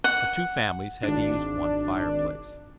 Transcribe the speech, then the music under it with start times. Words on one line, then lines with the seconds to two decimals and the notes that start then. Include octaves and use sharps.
The two families had to use one fireplace.
0.04 F#5
1.03 G#1 D4